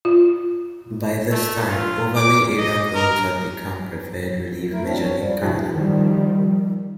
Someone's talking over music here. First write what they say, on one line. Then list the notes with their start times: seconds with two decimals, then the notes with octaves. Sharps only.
By this time, overlay area codes had become the preferred relief measure in Canada.
0.05 F4
1.32 A3
1.68 F4
2.15 D6
2.58 D#5
2.95 A#4
4.71 A3 E4 A#4
4.84 F#3 C4 D4
5.02 C#5
5.16 F3 G3
5.42 A2 C3 D4 E4 F#4 G#4
5.73 D#3 F3 G3